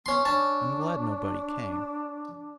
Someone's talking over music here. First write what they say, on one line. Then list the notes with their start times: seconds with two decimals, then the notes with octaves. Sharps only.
I'm glad nobody came.
0.06 B3 C#4 C6
0.25 C#4 D4 A5